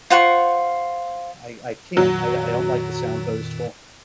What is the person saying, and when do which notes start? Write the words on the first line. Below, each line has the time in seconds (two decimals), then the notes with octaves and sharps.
I I can't, I I don't like to sound boastful
0.10 F4 C5 F#5 C#6
1.97 F2 A#2 D#3 F#3